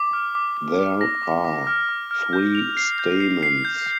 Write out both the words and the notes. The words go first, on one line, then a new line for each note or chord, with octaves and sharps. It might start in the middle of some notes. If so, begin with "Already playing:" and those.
There are three stamens.
Already playing: D6
F6
D6
D6
D6
A#6
D6
D6
F6
D6
F6
G6
F7
C7
G6
C7
C7
G6